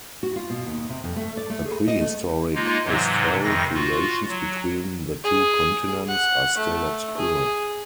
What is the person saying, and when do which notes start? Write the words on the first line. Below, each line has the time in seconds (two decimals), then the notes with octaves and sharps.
The prehistoric historic relations between the two continents are still obscure.
0.23 F#4
0.36 F4
0.50 B2
0.66 D#2
0.89 C3
1.04 F2
1.16 A3
1.37 D5
1.50 A3
1.65 G#4
1.88 D#5
2.00 A3
2.55 G#3 A#3 D#4 F4
2.85 G#2 C3 E3 F#3
3.44 F2 C3 D#3 F3 A#6
3.74 F4 F#4
4.29 F#3
5.24 G#4
6.08 F#5
6.57 A3
7.17 G#4